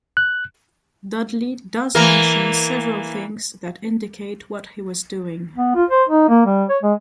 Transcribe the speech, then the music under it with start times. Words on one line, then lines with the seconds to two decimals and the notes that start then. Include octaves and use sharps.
Dudley does mention several things that indicate what he was doing.
0.17 F#6
1.95 E3 A#3 A#4
5.56 B3
5.75 F4
5.90 C5
6.09 D#4
6.29 A#3
6.46 G3
6.70 C#5
6.83 G#3